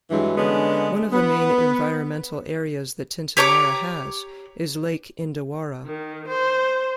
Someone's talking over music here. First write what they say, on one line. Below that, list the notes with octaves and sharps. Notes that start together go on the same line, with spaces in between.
One of the main environmental areas that Tintinara has is Lake Indawarra.
G2 E3 F#3 G#3
D3 G#3 B3 C#4
B3
G4 C#5 A#5 D6
D#3
C5